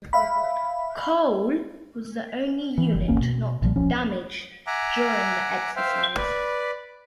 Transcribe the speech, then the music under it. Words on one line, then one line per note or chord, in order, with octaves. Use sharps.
"Cole" was the only unit not 'damaged' during the exercise.
E5 F5 B5
E3
F#1 E3
G1 D#2 A#3 C#4
B2
A#1 A#2 F3 G3
D1 F3 C#4
E5 F#5 G#5 A#5 D6
C5 E5 F5 G5
B4 D5